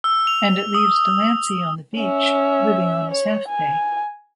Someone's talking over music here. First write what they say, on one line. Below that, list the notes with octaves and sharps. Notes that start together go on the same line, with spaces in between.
And it leaves Delancey on the beach, living on his half-pay.
E6
F7
D#6
C#4 E5
C#5
G#5